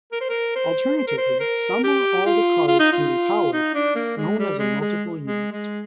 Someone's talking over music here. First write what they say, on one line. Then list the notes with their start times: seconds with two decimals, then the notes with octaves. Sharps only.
Alternatively, some or all the cars can be powered, known as a multiple unit.
0.12 A#4
0.21 C5
0.30 A#4
0.56 C5
0.98 C5
1.07 A#4
1.18 C5
1.40 A#4
1.83 G4
2.26 F4
2.68 F4
2.79 D#4
2.92 F4
3.53 D#4
3.74 D4
3.95 A#3
4.17 G#3
4.39 G3
4.59 G#3
4.81 G#3
5.24 G#3
5.52 G#3